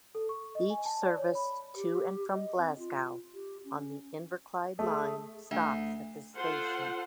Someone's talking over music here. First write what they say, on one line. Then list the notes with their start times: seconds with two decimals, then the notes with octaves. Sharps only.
Each service to and from Glasgow on the Inverclyde Line stops at this station.
0.15 A4
0.29 C#6
0.55 D#5
0.70 G#5
0.85 A5
1.02 D5
1.18 C#5
1.35 B5
1.75 G4
2.32 D#5
2.57 C4
2.78 F4
3.34 G4
3.64 C#4
4.79 A3 G#4
5.51 D2
6.35 F4 A4 C5 F#5